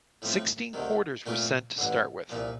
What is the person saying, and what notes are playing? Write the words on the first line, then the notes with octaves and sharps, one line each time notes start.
Sixteen quarters were sent to start with.
A2 F3 A3 C4
D2 C3 D#3
A#2 A3 C4 F4 A#4
A1 G2 D3
C2 A#2 F3